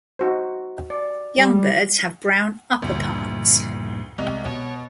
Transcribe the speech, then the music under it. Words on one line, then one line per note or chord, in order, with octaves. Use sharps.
Young birds have brown upperparts.
D#4 F#4 C5
D5
G3
D2 G2 A#2
C2 G#3 D#5 F7
B2 C#5